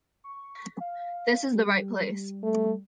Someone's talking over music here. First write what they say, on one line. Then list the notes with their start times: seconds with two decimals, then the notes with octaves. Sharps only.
This is the right place.
0.24 C#6
0.80 F5
1.54 G3
2.43 A3